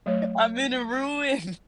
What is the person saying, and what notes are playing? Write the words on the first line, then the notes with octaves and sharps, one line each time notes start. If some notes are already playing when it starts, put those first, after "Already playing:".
I'm in a ruin.
F#3 A3 C#5